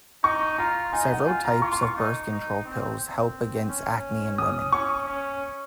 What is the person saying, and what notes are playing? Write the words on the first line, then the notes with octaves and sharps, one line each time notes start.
Several types of birth control pills help against acne in women.
D#4 C#6
F4 A#5
D#4 G#5
F#5
F4 G#5
A#5
F4 C#6
C6
C#6
D#4
D#4
C4
C4
C#4
C#4 D#6
C#4 C#6
C#4